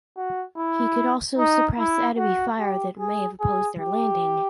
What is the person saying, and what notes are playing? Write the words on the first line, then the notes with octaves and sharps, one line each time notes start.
He could also suppress enemy fire that may have opposed their landing.
F#4
E4
D#4
E4
F#4
G4
G#4
G#4
G4